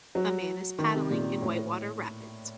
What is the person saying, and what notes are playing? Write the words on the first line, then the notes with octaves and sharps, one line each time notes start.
A man is paddling in whitewater rapids.
F#3
D#3
C3
A#2
A2